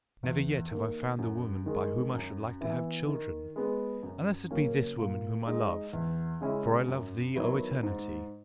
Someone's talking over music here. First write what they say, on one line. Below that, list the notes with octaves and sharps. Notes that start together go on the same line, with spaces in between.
Never yet have I found the woman by whom I should like to have children, unless it be this woman whom I love: for I love thee, O Eternity!
E2
D#3 A#3
F#2
D#3 G#3
F#2
E3 B3 E4
D#3
G#3 B3
F#2
C#3 F#3 A#3 C#4
A#2
G#3 D#4
E2
C#3 G#3 C#4 E4
F#2
D#3 F#3 B3 E4
G#2